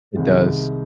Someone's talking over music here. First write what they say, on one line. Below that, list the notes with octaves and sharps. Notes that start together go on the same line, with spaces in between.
It does.
C2 C3 D#3 G#3